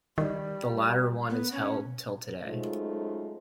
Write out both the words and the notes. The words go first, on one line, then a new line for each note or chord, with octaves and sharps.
The latter one is held till today.
D#3 G3
B3
C#4
F#2 G#3 A3 D#4 F4 C5